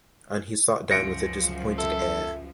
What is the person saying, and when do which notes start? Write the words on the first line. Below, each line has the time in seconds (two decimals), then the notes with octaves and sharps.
And he sat down with a disappointed air.
0.91 C#2 F#2 F3 A#6 C#7 D7
1.78 A4 E5